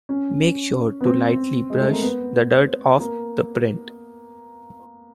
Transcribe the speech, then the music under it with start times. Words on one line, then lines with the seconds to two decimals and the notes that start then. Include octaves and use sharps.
Make sure to lightly brush the dirt off of the print.
0.09 C#4
1.01 B3
1.06 C4
1.70 G#3
1.81 A3
1.92 A#3
2.02 B3
2.99 A#3